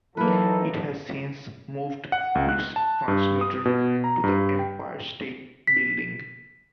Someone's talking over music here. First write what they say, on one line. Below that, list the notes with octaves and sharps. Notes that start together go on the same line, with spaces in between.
It has since moved its transmitter to the Empire State Building.
E3 F#3 A#3 D#4 A4 B4
F#5
C#2
F#6
A5
G2
D#6
B2
A#5
G2
G5
B6